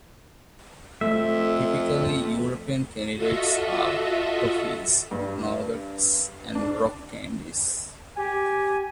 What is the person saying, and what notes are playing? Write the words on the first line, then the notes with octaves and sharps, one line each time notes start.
Typically, European candies are toffies, nougats and rock candies.
F2 A3 E5
F4 F#4 A4 D#5 E5
G2
D4
G4 G#5